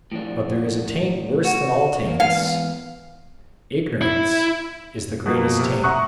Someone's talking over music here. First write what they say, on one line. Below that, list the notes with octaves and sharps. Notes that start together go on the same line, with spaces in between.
But there is a taint worse than all taints,--ignorance is the greatest taint.
A2 F3 D4
F#4
E2 G3 A#3
E2 G#2 B4 F5
E4
B2 F3 A#3
C3
E5 F#5 A#5 C#6 D#6 F#6